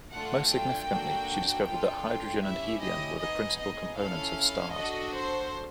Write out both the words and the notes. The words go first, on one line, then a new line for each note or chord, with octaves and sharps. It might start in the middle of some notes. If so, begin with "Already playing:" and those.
Most significantly, she discovered that hydrogen and helium were the principal components of stars.
A3 D4 F4 A4 F#5
G5
A#3 D4 F#4 A4
D4 F4 A4 G5
C#4 E4 G4 E5
D#5
B3 D#4 G#4 D#5
D#5
C#4 E4 A4 F5
D4 F#4 A4 D#5
C5